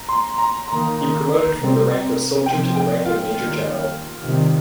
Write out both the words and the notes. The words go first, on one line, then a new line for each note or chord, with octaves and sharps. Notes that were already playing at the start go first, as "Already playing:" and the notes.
He promoted from the rank of soldier to the rank of major general.
Already playing: A#5
C6
A#5
D#3 A#3 A#5
C3 G3 C4
C3 F3 C4 G5
G5
F4
D#3 G3 A#3
C3 D#3 G3